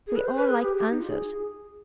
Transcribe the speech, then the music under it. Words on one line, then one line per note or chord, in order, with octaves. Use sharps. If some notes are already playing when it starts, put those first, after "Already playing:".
We all like answers.
G#4
B4
C5
B4
G#4
G4
G4
D#4
F4
G#4